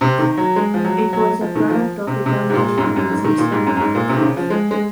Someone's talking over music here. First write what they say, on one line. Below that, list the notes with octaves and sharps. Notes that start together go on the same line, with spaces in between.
It was a product of the Italian neorealism style.
C3
D#3
F#3
G#3
F3
F#3
F#3
F3
D#3
F3
C3
C3
G#2
A#2
F#2
G#2
F#2
G#2
D#3
A#2
G#2
F#2
F#2
G#2
A#2
C3
D#3
C#3
F3
G#3
G#3